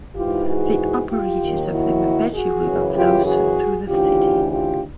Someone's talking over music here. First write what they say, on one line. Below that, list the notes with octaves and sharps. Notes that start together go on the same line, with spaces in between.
The upper reaches of the Mabechi River flows through the city.
G#2 E3 F4 G4
F#4 G#4
F4 G4
D#2 D#3
E4 F#4
F#4 G#4
F#2 C#3 E3
F4 G4
F#4 G#4
D2 C#3 E3 F4 G4
F4 G4